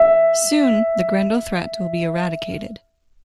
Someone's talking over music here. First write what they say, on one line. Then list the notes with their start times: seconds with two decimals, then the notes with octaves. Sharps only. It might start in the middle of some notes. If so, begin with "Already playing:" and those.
Soon the grendel threat will be eradicated.
Already playing: E5